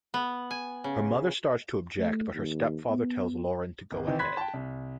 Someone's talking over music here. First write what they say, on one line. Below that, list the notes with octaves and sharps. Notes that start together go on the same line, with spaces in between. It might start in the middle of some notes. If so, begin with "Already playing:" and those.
Her mother starts to object but her stepfather tells Lauren to go ahead.
B3
G#5
C#3
A3
D#2
B3
G#1
C3 D#3 E3 D#4
B5 C6 F#6 G#6 B6
G5 A5
C2